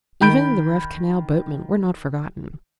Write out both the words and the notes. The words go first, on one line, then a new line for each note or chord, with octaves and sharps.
Even the rough canal boatmen were not forgotten.
D#3 B5 G6 D7